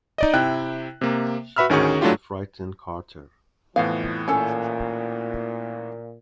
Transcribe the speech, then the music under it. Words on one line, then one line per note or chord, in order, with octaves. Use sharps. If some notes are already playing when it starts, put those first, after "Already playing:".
She brought the frightened carter.
D#4 D5 D#5
C3 E4 G5 F#6
C3 A#3
F#4 B4 E5 B5 E6 F6
D2 D#3 C#4 F#4 G#4 C#6
F#3 A3 D4 E4 F4 G4
F2 A2 E3 F3 B3 F5
A#2 C#4 A4